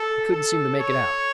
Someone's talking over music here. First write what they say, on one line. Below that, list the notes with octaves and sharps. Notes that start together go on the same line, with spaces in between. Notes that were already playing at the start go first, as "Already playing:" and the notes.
He couldn't seem to make it out.
Already playing: A4
A4
C#5